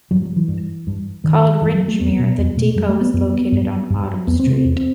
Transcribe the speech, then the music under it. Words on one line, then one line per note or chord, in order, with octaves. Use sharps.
Called "Rindgemere", the depot was located on Autumn Street.
G2 F#3
F#3
E3
G2
G2
G2 D#3
G2 E3
F#3
A3
E2 B3
B3
B2
B3
E2
B2 A3
F#2 G3
A3
B3
F#2 B3
B3
G2
G2
E2 B3
C4
C3
C4
E2
C4